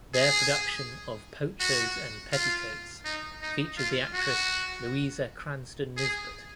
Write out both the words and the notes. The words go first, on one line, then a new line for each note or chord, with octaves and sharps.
Their production of "Poachers and Petticoats" featured the actress Louisa Cranstoun Nisbett.
G#4
F#4
F4
D#4
D#4
F4
F#4
G#4